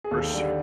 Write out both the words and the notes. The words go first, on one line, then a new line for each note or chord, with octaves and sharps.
For su
G#4
D#2 A4
D3 G3